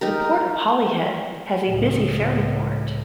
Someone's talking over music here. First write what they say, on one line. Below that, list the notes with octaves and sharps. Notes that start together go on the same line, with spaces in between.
The Port of Holyhead has a busy ferry port.
D#4 G4 A#4
C#2 A2